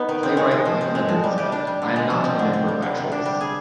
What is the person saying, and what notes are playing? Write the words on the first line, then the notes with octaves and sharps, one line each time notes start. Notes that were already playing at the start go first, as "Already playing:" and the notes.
Playwright Hugh Leonard said: I am not a member by choice.
Already playing: B3 D#4 B4
D#3
C4
G#3
F4
F3
C4
G#3
F3
G3
G4
D4
G3
D3
G#3
F3
C4
D3
C4
G3
D3
C3
D4
G3
G#4